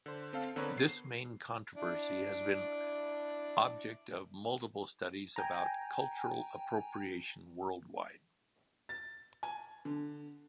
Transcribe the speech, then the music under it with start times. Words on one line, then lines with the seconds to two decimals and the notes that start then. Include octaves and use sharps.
This main controversy has been object of multiple studies about cultural appropriation worldwide.
0.06 D3 C5
0.33 C4 A4 F5
0.56 D3 B3 C4 A#4 B4 C#5
0.78 C7
1.75 D4 E4
5.36 G5 G#5 A#5
8.89 A6
9.43 G#5
9.85 D3